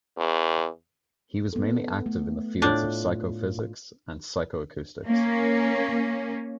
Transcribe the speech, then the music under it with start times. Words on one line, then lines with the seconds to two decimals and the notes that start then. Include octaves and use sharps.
He was mainly active in the fields of psychophysics and psychoacoustics.
0.17 E2
1.53 B3 A4
2.06 A3
2.62 A2 D4 F4
5.06 A#3 C#4